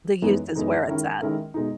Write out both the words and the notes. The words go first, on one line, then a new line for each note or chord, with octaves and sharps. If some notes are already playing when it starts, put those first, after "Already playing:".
The youth is where it's at.
F#2 E3 G#3 B3 D#4
F#2 E3 G#3 B3 D#4
D#3 G#3 C#4 E4 A#4
D#3 G#3 C#4 E4 A#4
B2 G#3 D#4